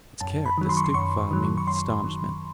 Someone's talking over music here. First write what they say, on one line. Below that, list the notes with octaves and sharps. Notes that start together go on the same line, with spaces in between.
Its character stupefied me with astonishment.
F#2 A5
B5
D#3 F#3
C6
C#6
C6
F#2 C#6
D#3 F#3
C#6
F#2 C6
D#3 F#3